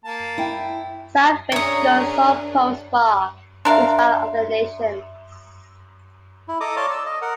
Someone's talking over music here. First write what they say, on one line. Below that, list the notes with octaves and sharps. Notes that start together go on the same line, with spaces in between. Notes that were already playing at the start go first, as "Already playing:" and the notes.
Salvaged guns saw post-war use by other nations.
A#3 A5
E4 G5
C#4 D4 G#4 A#4 C#5 E5 A#5 D#6
D4 A#4 E5 F5 C6
E4
A4 D#5 A#5 D6 D#6
C#5 D5 F5 A5 C6 D6
E6
D#5
A#4 F#5